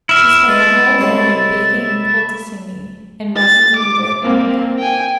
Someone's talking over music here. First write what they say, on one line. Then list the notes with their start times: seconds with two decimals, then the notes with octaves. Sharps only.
She spent the whole morning bathing and poulticing me, and rubbing me with arnica.
0.09 E4 E5 F6
0.48 G#3 B3 A6
0.99 C2 G#3 C#5
3.36 A6
3.76 D6
4.22 A#3 C4
4.78 G5 G#5